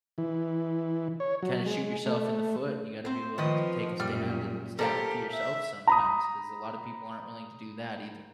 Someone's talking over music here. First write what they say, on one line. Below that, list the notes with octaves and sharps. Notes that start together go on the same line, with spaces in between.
kinda shoot yourself in the foot, and you gotta be willing to take a stand and stand up to yourself sometimes 'cause a lot of people aren't willing to do that either.
E3
C#5
F#3
G#3
A3
C4 C5
D#3 F3 B4 D#5
F#2 A#2 G3 F6
A#2 G4 A4 A#4 C5 F5
E5
A#5 B5 D#6